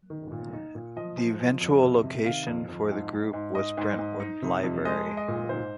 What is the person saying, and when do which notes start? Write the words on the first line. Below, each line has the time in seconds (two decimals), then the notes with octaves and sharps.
The eventual location for the group was Brentwood Library.
0.10 D#3
0.32 A#2
0.53 D#4
0.75 A#2
0.96 F3 D#5
1.18 F3
1.40 F3
1.61 F2
1.83 C3
2.04 C3
2.26 D#3 F5
2.47 F2
2.69 F2
2.91 G#2
3.13 G#2
3.33 G#2
3.55 G#2 D#5
3.77 G#2
3.99 G#2
4.20 D#4
4.42 C3
4.63 F2
4.85 G#3 D#5
5.06 G#3
5.17 D#5
5.28 A#2
5.49 G#2 C5